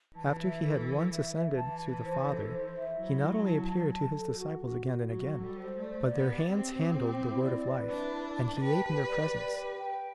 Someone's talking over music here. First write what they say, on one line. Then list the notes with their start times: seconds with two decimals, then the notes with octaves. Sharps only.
After he had once ascended to the Father, he not only appeared to his disciples again and again, but their hands handled the word of life, and he ate in their presence.
0.16 E3 A5
0.40 E5
0.63 A4
0.87 A4
1.11 E5
1.34 E5
1.57 E3 A5
1.81 A5
2.04 C5
2.27 A4
2.51 C5
2.75 E5
2.97 F#3 E4
3.21 E4
3.45 A5
3.68 A5
3.91 A5
4.14 A4
4.38 F#4
4.62 F#4
4.85 F#4
5.08 F#3 F#4
5.32 A4
5.43 G3
5.56 C5
5.79 A3 D5
6.03 D5
6.14 B3
6.26 G4
6.50 C4 G4
6.73 G4
6.97 G4
7.20 E4
7.43 D5
7.66 B4
7.90 D4 E4
8.14 A5
8.36 A5
8.60 B4 G5
8.84 G4
9.07 D5
9.30 G4
9.54 G5
9.77 G5